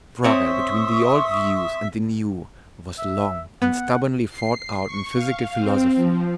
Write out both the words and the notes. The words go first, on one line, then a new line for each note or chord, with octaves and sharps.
The struggle between the old views and the new was long and stubbornly fought out in physical philosophy.
C4 C#5 E5 C6 C#6 D#6
E5
B3 F#5
C7
C#6
F5
C4
F3